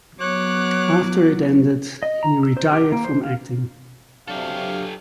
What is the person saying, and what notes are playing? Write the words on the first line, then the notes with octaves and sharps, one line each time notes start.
After it ended he retired from acting.
F#3 B3 C#5 D6 F#6
D#5
A#5
E6
C5
G4
A#3
C5
F5
C3 F#3 D4 G4 A4 F5 C#6